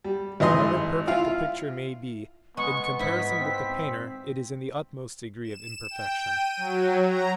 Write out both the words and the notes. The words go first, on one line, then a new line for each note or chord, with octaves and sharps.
However perfect the picture may be, in comparison with the painter it is in the utmost degree of imperfection.
G3
G#1 E3 D#5 C6
E4 F4 F5
G#3 B3 C#6
G#2 E4 B6
C4
E7
G5
D#7
F#3
A#5